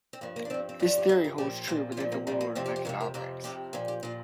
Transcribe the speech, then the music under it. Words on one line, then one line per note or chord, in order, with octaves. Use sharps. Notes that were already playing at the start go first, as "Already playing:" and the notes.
This theory holds true within the world of economics.
C4
G2 F3 A#3
A#3
D4
G2 F3 C4
C4
G2 F3 D4
G4
G2 F3 F4
A#4
A#2 F3 G4
A#2 F3 F4
F4
A#2 F3 D4
A#3
A#2 F3 G3
A#3
F2 C3 F3 C4
G4
G4
F2 C3 F3 A#4
A#4
F2 C3 F3 A#4
F2 C3 F3 G4
A#2 F3 A#4
G4
A#2 F3 F4